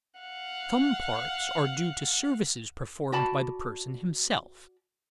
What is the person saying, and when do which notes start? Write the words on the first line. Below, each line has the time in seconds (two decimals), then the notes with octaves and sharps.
Some parts are due to services performed by the person himself.
0.20 F5 F#5
3.12 F#4 D5 A5 B5